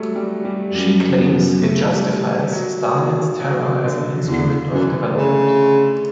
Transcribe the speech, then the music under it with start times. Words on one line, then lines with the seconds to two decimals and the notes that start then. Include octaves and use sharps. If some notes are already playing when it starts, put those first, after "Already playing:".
She claims it justifies Stalin's terror as an instrument of development.
Already playing: F#3 G3 A3
0.16 G3
0.45 G3
0.74 F#2 G3
1.18 B3
1.62 A3
1.93 G3
2.52 F#3
2.96 F#3
3.40 F#3
3.84 D3
4.28 E2 D3
4.73 F#2 E3
5.17 C#3 A3